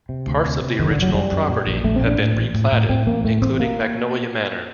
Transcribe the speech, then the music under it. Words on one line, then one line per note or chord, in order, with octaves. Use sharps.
Parts of the original property have been replatted, including Magnolia Manor.
C3
D2
C3
C3
F#1 D#3
D3
F#1
F#3
F#2 G3
F#2
A#2
A#1
A#1 A3
C4
A#2
D4
A2
A1
A2
A2
A2 C4
A1 A#3
A2 A3
A1 C4
A#3